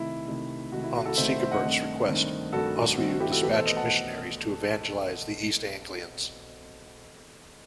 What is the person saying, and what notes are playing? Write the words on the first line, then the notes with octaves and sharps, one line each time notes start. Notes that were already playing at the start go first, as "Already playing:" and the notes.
On Sigeberht's request, Oswiu dispatched missionaries to evangelise the East Anglians.
Already playing: C3 D#3 A3 E4
C3 D#3 A3
C3 D#3 A3 F#4
E4
F#4
F#4 A4
C3 D#3 A3 C5 E5
C5 E5
C5 E5
D#5 F#5
G2 D#3 A3 C4
G2 D#3 A3 C4
G2 D#3 A3 C4 F#4 A4
F#4
G2 D#3 A3 C4 F#4
F#4
E4 G4
F#4 A4
E2 B2 A3 G4 B4
A4 C5
B4 D#5
F#5 A5